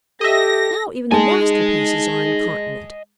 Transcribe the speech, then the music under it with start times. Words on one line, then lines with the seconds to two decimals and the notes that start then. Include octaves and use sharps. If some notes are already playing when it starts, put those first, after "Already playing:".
Now even the masterpieces are incontinent.
0.21 G4 A4 D#5 E5 A#6
1.11 G#3 D#4 G#4 D#5 G#5 A5